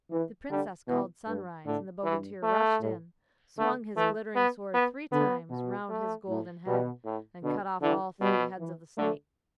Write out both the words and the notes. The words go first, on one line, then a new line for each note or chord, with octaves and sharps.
The Princess called Sunrise, and the bogatir rushed in, swung his glittering sword three times round his golden head, and cut off all three heads of the snake.
E3
D3 G3
B2 E3
G2
A2 D3
G2 E3
A3
A2
D3 A3
E3 A3
B3
B3
D3 B3
B2
A3
A2
B2 G3
A2
B2 D3
D3 E3
B2 G3
E3
D3 A3